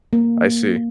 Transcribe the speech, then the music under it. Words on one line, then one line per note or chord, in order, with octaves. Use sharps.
I see.
A#3